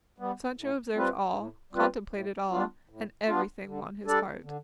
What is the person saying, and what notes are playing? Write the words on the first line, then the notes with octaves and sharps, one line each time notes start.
Sancho observed all, contemplated all, and everything won his heart.
G3 B3
A2
G3 C4 F4 B4
A2
G3 C4 F4 B4
A2
G3 B3 D4 F4
A2
G3 B3 D4 F4
D3
G3 D4 A4 D5
D3